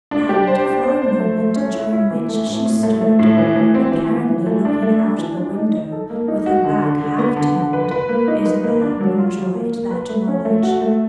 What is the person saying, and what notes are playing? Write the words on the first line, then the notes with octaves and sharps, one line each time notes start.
And for a moment during which she stood apparently looking out of the window, with her back half-turned, Isabel enjoyed that knowledge.
D4
G4
C5
D4
C5
C5
A3
A3
C#4
E4
E4
E3
A3
A2
A2
A3
A3
A2
E3
E3
C4
E3
E3
E3
A3
D4
A3
D4
E3
D4
D#4
D#4
A4
A#3
D#4
F#4
D3
D3
D3
B3
D3
D3
B4
B4
A#3
D#4
B4
A#3
D4
F#3
F4
F#3
A#3
A#3
B4
A3
C#4
A3
F#4
A3